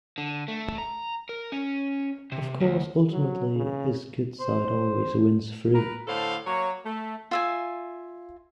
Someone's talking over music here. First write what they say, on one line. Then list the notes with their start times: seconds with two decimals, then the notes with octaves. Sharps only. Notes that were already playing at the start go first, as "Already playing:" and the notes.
Of course, ultimately, his good side always wins through.
0.18 D3
0.48 A3
0.78 A#5
1.29 A#4
1.52 C#4
2.32 C3
2.60 D2
3.11 F#3
3.56 C#3
4.40 C5
5.74 A#4 B4
6.07 A2 D3 A4 C5 F5
6.46 F#3 A#3 C#5
6.85 A3
7.31 F4 E5 G#5